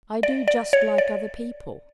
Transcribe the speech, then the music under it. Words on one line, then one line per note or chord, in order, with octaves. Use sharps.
I do just like other people.
D5
D5
C#5
D5